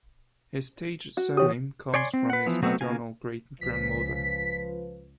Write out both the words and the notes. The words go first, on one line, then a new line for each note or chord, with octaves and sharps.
His stage surname comes from his maternal great-grandmother.
F#4
E3 G4 C#5 D#6
C#5 D5 G#5 C6
C4
B4 F#5
E3 F3 B3
F#3 A3 B3 C4 F#4
C#3 A#3 F4 G#5
C#2 F3 B4 B6